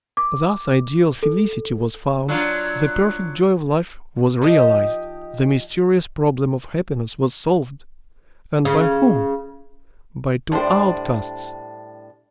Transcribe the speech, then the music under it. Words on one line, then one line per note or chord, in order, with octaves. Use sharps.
Thus ideal felicity was found, the perfect joy of life was realized, the mysterious problem of happiness was solved; and by whom? By two outcasts.
D6
A4
F#3 D4 F4
F3 D#4 G4 D#5
C#3
A2 G3 D4 C5